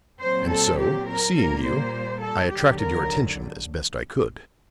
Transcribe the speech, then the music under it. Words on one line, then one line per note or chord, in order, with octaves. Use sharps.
"And so, seeing you, I attracted your attention as best I could."
A#2 F#3 C4 C5
A4
G4
A#4
A#2 G3 A#3 A#4
C5
A4
D#2 D3 F#3 G4
A#4